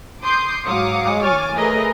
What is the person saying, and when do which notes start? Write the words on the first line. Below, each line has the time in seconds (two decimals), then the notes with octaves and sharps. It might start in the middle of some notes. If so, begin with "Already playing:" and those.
Oh, yeah.
0.22 C6 D6 D#6 G6 C7
0.65 G#2 F#3 F5 D6 D#6 C#7
1.23 C#5 G#5 C#6 D6 F6 A6
1.54 A3 G#4 A#4 B4 D#5 G#5